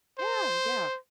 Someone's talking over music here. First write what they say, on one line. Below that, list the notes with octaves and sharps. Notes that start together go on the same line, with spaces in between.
Yeah, yeah,
C5